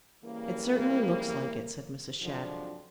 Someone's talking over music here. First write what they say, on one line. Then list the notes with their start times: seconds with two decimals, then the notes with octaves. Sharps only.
"It certainly looks like it," said Mrs. Shadd.
0.25 C#3 E3 G3 A#3
2.20 F2 G#2 D3 F3 F#3 D4